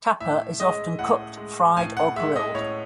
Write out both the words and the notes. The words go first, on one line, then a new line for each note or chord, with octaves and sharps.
"Tapa" is often cooked fried or grilled.
A2 E5
G#3 D#5
A2 F#5
G#3
A2 G#5
F#5
G#3 E5
D#5
A2 C#5